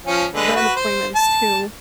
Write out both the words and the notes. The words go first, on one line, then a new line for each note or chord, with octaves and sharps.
vet appointments to
F3 C#4
D3 G#3 B4
F#4 B4
C5
A5